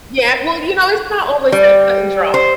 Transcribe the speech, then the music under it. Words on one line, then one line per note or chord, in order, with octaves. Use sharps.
Yeah, well, you know, it's not always that cut-and-dry.
G3
C5